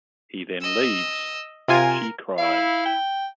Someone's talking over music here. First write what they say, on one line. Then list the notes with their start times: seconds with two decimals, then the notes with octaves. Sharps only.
He then leaves; she cries.
0.61 D#5 E6
1.68 C3 F4 A#4 G#5
2.38 E4 F5
2.86 G5